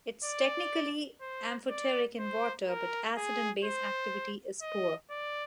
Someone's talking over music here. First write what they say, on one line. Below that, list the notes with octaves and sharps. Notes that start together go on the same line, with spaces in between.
It is technically amphoteric in water, but acid and base activity is poor.
D5
C5
D5
C5
A#4
G#4
C5
D#5
D5